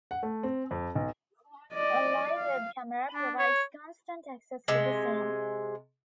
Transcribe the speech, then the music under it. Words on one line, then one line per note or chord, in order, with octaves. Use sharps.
A live web camera provides constant access to the scene.
F#5
A3
C4
F2
B1
D5 D#5
F5
D4
C#5
C3 G#3